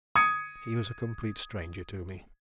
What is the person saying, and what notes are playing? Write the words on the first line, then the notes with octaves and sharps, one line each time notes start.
He was a complete stranger to me.
D#6 G#6 C#7